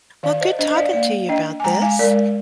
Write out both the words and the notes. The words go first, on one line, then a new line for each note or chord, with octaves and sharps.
Well, good talking to you about this.
D#3 D5 F5
C5 D#5
D4 C5 D#5
D#5
D5 F5
A#3 D5 F5
D4 D#5 G5
G#5
G#3 G5 A#5
F5 G#5
G#3 A#4 D5